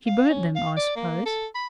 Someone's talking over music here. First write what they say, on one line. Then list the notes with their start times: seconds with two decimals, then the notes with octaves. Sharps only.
She burnt them, I suppose.
0.06 F5
0.29 C#4
0.55 F5
0.76 D5
0.96 A#3
1.25 A4
1.55 B5